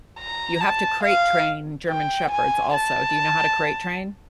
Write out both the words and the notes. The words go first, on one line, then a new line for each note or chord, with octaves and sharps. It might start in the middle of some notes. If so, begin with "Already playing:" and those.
You have to crate train German shepherds also. Do you know how to crate train?
A#5
A5
F5
G5
G#5
A5